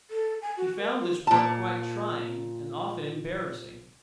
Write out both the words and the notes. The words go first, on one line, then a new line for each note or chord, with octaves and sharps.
She found this work quite trying, and often embarrassing.
A4
G#5
F#4
A#4
F4
A#2 A5